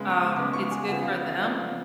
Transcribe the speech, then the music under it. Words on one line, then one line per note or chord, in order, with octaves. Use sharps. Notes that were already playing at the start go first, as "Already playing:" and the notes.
um, it's good for them.
Already playing: C#3 G#3 B3
C#6
C#3 G#3 B3 D6
C#6
G#5
C#3 F3 B3 F#5
F5
F#5
F5
C#3 F3 B3 D5
F5